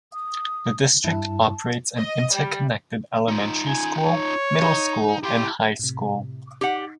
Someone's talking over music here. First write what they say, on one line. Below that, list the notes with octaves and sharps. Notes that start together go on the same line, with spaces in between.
The district operates an interconnected elementary school, middle school, and high school.
D#6
G2 E4 A5
D#5
G3
D#4 F4
G#5
C#5
D#4
E4 G4 C6
A2 C3
D#4 G4 F#5